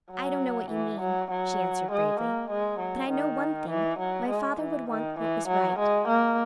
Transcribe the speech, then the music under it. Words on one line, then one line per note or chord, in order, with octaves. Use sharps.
"I don't know what you mean," she answered bravely, "but I know one thing: my father would want what was right."
F#3
E3
F#3
F#3
G#3
A#3
G#3
F#3
D#3
E3
F#3
G#3
E3
D#3
E3
F#3
G#3
A#3